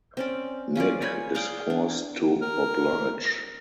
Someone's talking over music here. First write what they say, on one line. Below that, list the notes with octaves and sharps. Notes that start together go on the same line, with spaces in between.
Nick is forced to oblige.
C4 C#4 D5
C#4 F4 G#4 D5
C#5 G#5 B5
G#4 D5 F5 G5
D4
A#4